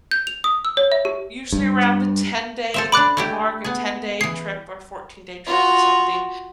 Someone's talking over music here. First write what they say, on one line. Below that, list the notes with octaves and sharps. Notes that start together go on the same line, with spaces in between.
Usually around the ten-day mark, a ten-day trip or fourteen-day trip or something.
G6
F7
D#6
E6
C#5
E5
G4
G2
A4 C5 E5
D4 D5 B5 D6 F#6
A3 E4 G4
B3 G#4
E3 G#4 C7
F4 F#4